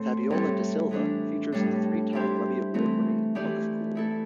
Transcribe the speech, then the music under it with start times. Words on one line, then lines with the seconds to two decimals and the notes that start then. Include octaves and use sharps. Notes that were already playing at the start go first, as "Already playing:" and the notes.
Fabiola da Silva features in the three-time Webby Award-winning Book of Cool.
Already playing: A2 A3 C4 A4 C5
0.30 A2 G3 C4 E4 A4
0.91 E3 A3 D4
1.52 A2 G3 D4 A4
2.13 G3 E4 G4 C5
2.74 E3 A3 C4
3.35 E3 A3 E4 G4 D5
3.95 A3 E4 A4